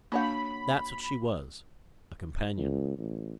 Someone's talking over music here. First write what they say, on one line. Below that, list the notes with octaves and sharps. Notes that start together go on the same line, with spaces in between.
That's what she was,--a companion.
A#3 D4 F#4 C#5 F5 F#5 B5 G6
C#2
A1